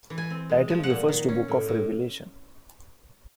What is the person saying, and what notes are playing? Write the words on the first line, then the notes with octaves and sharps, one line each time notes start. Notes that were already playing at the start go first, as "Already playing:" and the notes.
Title refers to Book of Revelation.
E3
G#5
C4
G#3
F3
F#5
A#2
D#3
C#4
A2
A2